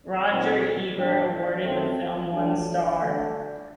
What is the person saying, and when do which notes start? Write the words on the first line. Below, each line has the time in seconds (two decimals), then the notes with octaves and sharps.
Roger Ebert awarded the film one star.
0.29 A#2 F#3 C4 D#4 F#4
0.96 A2 G3 D4 G4
1.64 F#2 D#3 A3 C4
2.31 F#3 A3 D4 G4
3.00 D3 A3 D4 F#4